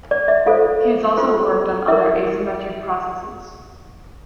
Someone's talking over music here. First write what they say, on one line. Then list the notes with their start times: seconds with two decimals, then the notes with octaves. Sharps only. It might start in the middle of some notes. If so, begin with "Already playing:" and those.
He has also worked on other asymmetric processes.
0.11 D5
0.28 E5
0.46 F4 A4 C5 F5
1.17 F4 A4 C5
1.88 E4 A#4 E5